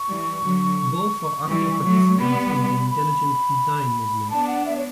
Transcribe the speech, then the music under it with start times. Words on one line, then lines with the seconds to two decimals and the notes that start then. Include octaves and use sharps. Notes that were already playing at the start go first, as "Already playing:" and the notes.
Both are active participants in the intelligent design movement.
Already playing: C#6
0.09 E3 G3
0.44 D3 F#3
1.49 E3 G3 C#6
1.85 F#3 A3
2.19 G3 B3 B5
2.91 B5
4.30 B3 D4 A5
4.48 F#5
4.66 E5
4.76 C#5